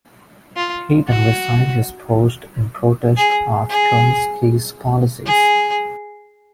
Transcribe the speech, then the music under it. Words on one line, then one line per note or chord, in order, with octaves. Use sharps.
He then resigned his post in protest of Kerensky's policies.
F4
F#4
G#4
G#4
G#4